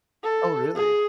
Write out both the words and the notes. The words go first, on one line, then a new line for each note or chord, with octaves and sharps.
Oh, really?
A4
G#4